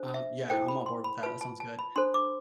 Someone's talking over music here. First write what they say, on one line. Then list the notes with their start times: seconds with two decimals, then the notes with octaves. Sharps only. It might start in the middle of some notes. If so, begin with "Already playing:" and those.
Um, yeah, I'm on board with that, that sounds good.
Already playing: D4 A4 C5
0.14 E5
0.50 E4 A4 C5 G5
0.68 B5
0.86 C6
1.04 B5
1.23 F4 B4 A5
1.41 A5
1.60 A5
1.79 B5
1.96 D4 A4 C5 C6
2.14 D6